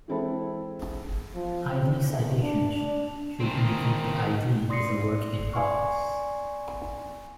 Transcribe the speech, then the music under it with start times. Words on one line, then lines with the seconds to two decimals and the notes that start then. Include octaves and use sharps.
I-D citations should indicate the I-D is a "work in progress".
0.08 E3 G#3 C4 E4 A4
1.35 F3
1.68 C4
2.06 E2
2.41 D4
2.75 D4
3.40 D#3 C4
4.69 D5 C6 D#6 A#6 C7 C#7
5.54 D5 G#5 C6 C#6